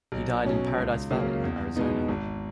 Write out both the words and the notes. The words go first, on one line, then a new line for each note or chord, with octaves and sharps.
He died in Paradise Valley, Arizona.
B1
B2 F#3 C#4
C#2
C#3 F#3 A#3 C#4
E2
B2 G#3 B3 D#4
G#1